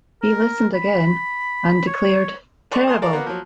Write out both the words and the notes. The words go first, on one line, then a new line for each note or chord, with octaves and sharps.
He listened again and declared 'Terrible!
A#4
B5
C#5
A4 D5 D#5 C6 C#6
A#4 G#5 C6 D#6
A4 A#4 D5 F5
A#3 B3 F#4
F3 F#3